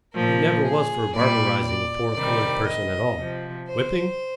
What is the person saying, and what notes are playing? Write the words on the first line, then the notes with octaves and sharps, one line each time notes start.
He "never was for barbarizing a poor colored person at all." Whipping?
A#2 F3 A#4
G#4
A#2 G3 D5
D5
C3 D#3 G3 D5
D#5
C3 F3
C5